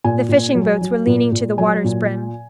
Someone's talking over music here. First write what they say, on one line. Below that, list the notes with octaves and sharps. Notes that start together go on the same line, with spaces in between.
The fishing-boats were leaning to the water's brim.
A#2 G#5
A#2
F#3
F#3
A#2
A#2
F#3 G#5
A#2